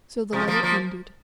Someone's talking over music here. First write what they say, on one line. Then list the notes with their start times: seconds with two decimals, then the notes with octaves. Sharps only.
So the letter ended.
0.33 C3 F3
0.48 F3 A#3
0.63 F3 A#3